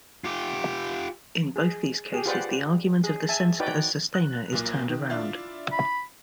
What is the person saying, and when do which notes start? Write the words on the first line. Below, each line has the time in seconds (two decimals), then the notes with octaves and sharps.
In both these cases the argument of the centre as sustainer is turned around.
0.24 F4 G4
1.56 G#4
2.13 G4 G#4
2.26 F4 G4 B4 C5 D5 F#5
3.04 G#4
3.29 E5 G#5 A5
3.60 D#4 F#4 B4 D5 G5
4.14 F#6
4.52 B1 A#2 A#3
4.89 D#3
5.10 D4 E4 F4
5.72 B5